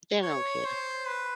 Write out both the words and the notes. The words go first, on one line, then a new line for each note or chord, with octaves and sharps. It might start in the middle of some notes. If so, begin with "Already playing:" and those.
They don't care.
C#5
C5
B4